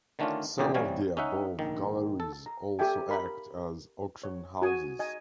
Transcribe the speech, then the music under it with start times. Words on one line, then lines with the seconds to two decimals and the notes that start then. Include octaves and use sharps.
Some of the above galleries also act as auction houses.
0.19 D3 D#3 A3 C#4 D4 F4
0.58 A#1 E2 A#2 D3 G4 G#4
0.74 A1 C3 G3 C#5 F5 G#5
1.17 C#4 D#4 E5 F#5
1.59 A#1 D#3
2.20 A4
2.46 A#5
2.79 G4 A4 E5 G5 G#5
3.09 A#4 B5
4.23 C#5
4.62 F#4 G#5 D#6
4.99 D#5 G#5